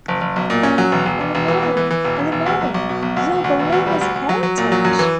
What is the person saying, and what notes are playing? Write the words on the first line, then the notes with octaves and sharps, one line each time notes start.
Illimani, Illimani, you are Bolivia's heritage!
F#1
F#1
B1
A#2
C#4
F#3
E1
E1
E1
E1
E3
B3
E3
E3
E1
E1
E1
D2
B1
B1
B2
B1
D2
E1
D2
E1
D2
G3
D2
D2
F#3
F#3
A#2
F#3
F#2
E3